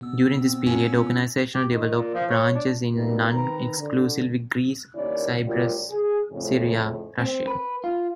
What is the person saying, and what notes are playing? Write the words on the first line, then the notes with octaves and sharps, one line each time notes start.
During this period, organization developed branches in non exclusively Greece, Cyprus, Syria, Russia.
B2 B3 E6
C4
C#4 F4
G4
D#3
A#2
F3
C#5
D4
B2 G3 A3 A#3 D#4 A#4
D#3 C4 B4 A#5
D3
D#2 A#3 C#4 E4 D5
D2 F#3 G3 F4 A#4 D5
G#4
F2 A2 C#3
C4
B4
F4